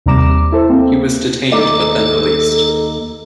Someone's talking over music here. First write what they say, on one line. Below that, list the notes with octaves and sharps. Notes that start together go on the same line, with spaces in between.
He was detained, but then released.
D#2 C3 G3 A#5 D6 E7
E4 A4 C5
A#3 C4
D#2 D#4 A4 D5